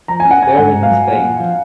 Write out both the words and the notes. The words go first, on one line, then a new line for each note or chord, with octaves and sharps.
He is buried in Spain.
F3 A#5
G#5
C#4
F#5
C#4 G#5
G#2 F#5
G#2
F5
F#3
A#2
A#2
F3